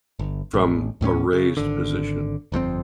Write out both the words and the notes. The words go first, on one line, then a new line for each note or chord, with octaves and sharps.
from a raised position?
G1
A1
D#2 A2 A3 C#4
C#3
G#1 D3
G1 F2 A#2 C4